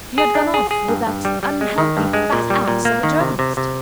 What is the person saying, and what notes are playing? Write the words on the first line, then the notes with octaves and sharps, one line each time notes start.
She had gone off--with that unhealthy, fat ass of a journalist.
G#4
D4
G#4
G#4
G2
G2
G3
G3
G#3
D#3
G2
G#3
A#2
G3
A#2
A#3
D#3
C3
C3
C3